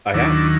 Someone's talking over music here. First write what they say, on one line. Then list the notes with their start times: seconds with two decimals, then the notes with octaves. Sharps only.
I have.
0.13 D#2 D#3 F#3 D4 E4